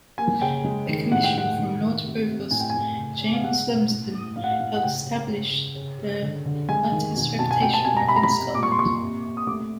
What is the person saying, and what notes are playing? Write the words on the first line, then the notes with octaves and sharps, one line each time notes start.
A commission from Lord Provost James Lumsden helped established the artist's reputation within Scotland.
A#3 G#5
C#3 G5
G#3
D#3
A2 F#5
G5
A2 F#5
D#3
D#3
C3
C3
A2 G#5
G5
A2 G#5
C#3
C#3
F5
G#3 F#5
B2
A2
A2
A2 F5
F#5
F5
A2
F#5
C#3 G5
C#3
C#3
C#3
C#3
C#3
D3
D3
G#3 G#5
D#3
B2
B2 A5
G#5
B2 G5
A5
B2 G#5
A#5
C3 B5
A#5
B5
C3
A#2 D6
C#6
C6
A#2 C#6
C3
C3
D#6
A3 D6